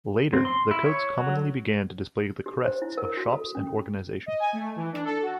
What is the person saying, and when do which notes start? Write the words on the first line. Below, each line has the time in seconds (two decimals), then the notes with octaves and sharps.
Later, the coats commonly began to display the crests of shops and organizations.
0.33 C4
0.45 C6
0.71 E4
0.86 C#5
1.18 F#3
2.46 G4
2.65 C5
2.82 E4
2.98 A#4
3.17 F#4
3.33 A4
3.55 C#4
4.26 D#5
4.40 G#5
4.53 A3
4.76 E3
4.93 D4
5.05 A4
5.22 F#4